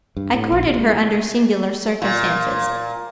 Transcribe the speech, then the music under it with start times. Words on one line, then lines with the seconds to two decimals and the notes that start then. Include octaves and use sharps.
I courted her under singular circumstances.
0.17 G2
0.34 A2
0.52 A#1
0.67 C3
0.80 G#3
2.02 A#2